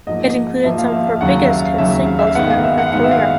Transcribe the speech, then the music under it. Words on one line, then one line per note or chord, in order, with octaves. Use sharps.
It included some of her biggest hit singles during her career.
G#2 F3 A#3 D#5
G#2 F3 A#3 E5
F5
E5
F5
D#2 C#3 F#3 F#5
E5
F5
D#2 C#3 F#3 E5
F5
E5
F5
G#2 D#3 G#3 B3 F#5
F5
E5
F#5
F5
G#2 D#3 G#3 B3 F#5
E5
F5